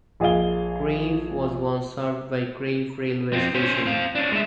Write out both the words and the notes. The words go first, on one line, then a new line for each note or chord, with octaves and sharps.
Crieff was once served by Crieff railway station.
A#1 G#4 D#5 F5 G7
F2 C4
C#4 C5
C4 F5
C#4 D4
G#3 E5